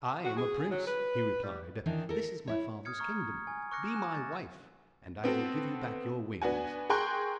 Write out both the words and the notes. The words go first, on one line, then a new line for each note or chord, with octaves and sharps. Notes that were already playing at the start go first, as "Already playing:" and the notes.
"I am a prince," he replied; "this is my father's kingdom; be my wife, and I will give you back your wings."
F#4
G#4
F#3
B4
G3
D#3 E3 D4 D#4
A4 A#4
E4 C#5
D#6 F6 G#6 C#7
A#5 C#6 F6 G#6
G#5
C#6 D6 F6 F#6 A#6 C#7
G#5 F#6 E7
A6
B3 C4 F#4 A4
B3 D4 F#4 G#5
G#4 A#4 G5 C6 C#6 F#6